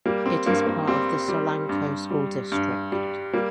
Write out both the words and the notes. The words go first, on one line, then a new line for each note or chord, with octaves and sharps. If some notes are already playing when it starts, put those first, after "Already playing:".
It is part of the Solanco School District.
G3 A#3
C4
G2 A#3
A#3
G3 C4
G3
G2
G3
G2
G3
G3 A#3